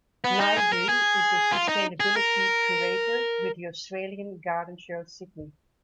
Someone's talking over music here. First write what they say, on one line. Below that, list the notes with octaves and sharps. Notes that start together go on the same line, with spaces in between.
Naidoo is the sustainability curator with the Australian Garden Show Sydney.
B3
D#4
G#4
A#4
G#4
F4
D#4
G#4
A#4